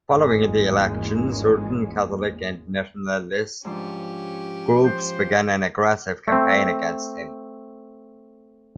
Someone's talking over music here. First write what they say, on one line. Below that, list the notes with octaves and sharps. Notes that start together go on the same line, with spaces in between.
Following the election, certain Catholic and nationalist groups began an aggressive campaign against him.
G#1 E2 G#3 A#3 C#4
G#2 F3 C#4 D4 G4
F3 C5
A3 C4